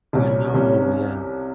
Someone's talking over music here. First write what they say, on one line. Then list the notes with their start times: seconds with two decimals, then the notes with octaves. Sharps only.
I know, yeah.
0.13 C2 C3 G3 C#4
0.54 C2 C3 G3 C#4